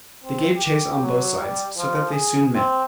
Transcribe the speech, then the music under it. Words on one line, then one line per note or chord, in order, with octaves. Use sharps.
They gave chase on both sides, so that they soon met.
C4
G4
F#3
G3
F3
G#4
C4